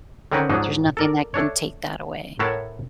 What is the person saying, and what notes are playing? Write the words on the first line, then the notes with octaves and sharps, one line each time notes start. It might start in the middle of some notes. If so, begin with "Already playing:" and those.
There's nothing that can take that away,
D3 D#3 C4 C#4 A#4 B4
G#2 F3 F#3 D4 D#4 G#4
A4 A#4 D5
A3 D4 C#5
A2 A#4 C#5 E5 F#5 A5